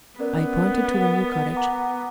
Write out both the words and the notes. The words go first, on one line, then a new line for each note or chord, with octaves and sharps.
I pointed to the new cottage.
B3 C#4 A#4 D5
A#4 F#5
F#5 A#5 D6